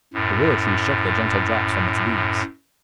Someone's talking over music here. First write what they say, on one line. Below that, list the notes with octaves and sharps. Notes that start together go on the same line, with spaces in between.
The willow-tree shook the gentle drops from its leaves.
F#2 A2